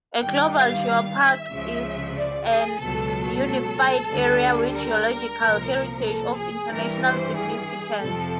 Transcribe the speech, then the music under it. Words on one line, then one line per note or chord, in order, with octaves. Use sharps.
A "Global Geopark" is a unified area with geological heritage of international significance.
G2 D#3 G3 G5
F5
F5
E5
C#2 C#3 F3
D5
G#4
C#2 B2 F#3 A4
A4
D2 D3 G3
A#4
C2 A#2 F3
A4
G#4
G2 E3 G3 A#4
C5
G#4
F2 C3 F3 A4